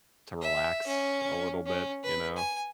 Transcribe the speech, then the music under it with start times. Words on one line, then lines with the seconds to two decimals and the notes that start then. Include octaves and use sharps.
to relax a little bit, you know?
0.41 E5
0.87 C#4
1.66 C#4
2.04 B4
2.37 G#5